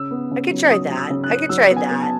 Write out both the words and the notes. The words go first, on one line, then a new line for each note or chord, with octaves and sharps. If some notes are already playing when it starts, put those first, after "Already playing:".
I could try that, I could try that.
Already playing: C#3 E6
B3
C#3
F#3
F#3 D#6
F#3
E6
C#3
F#6
C#3
F#3 E6
B3
G#5
B3
A5